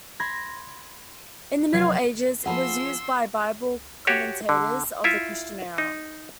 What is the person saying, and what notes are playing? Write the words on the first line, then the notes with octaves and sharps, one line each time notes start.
In the Middle Ages it was used by Bible commentators of the Christian era.
B5 C6 G#6 A#6
F1 F#3 G#6 C7
F3 G#4 F#5 A5 B5 C6 E6
F#4 G4 C#5
D3
E4 F4 E5
D#4